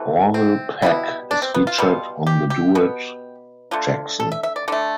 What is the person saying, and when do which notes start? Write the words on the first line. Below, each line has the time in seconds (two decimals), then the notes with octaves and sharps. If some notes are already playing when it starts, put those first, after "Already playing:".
Orville Peck is featured on the duet "Jackson".
Already playing: C3 E3 A3
0.34 C4
0.82 B2 G3 B3 E4
1.31 D4
1.42 C4
1.54 B3
1.67 F4
1.78 B2 G3 B3
2.27 G4
2.50 G4
2.75 B2 B3
3.71 D3 A3 F4
4.20 A4
4.32 E5
4.43 E5
4.56 D5
4.68 D3 A3 D5